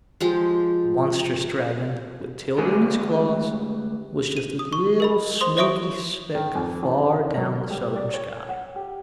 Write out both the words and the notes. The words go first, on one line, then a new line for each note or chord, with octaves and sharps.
The monstrous dragon with Tilda in his claws was just a little smoky speck far down the southern sky.
F3 G#3 G4
D2 G#3 G4 B4 G#5
D#7
D#6
C#6
A#4 D#5 B5
C5 C6 D#6 F7
C5 C#5 E5 C#6 D#6 D7
D#3
F2
A1
F#3
G3
D5
C#5
F#5
G4